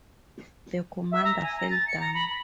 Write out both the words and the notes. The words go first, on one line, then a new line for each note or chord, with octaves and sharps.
The commander fell down.
E5
A#5
G#5
A#5
A6
C#7
A#5
B5
B5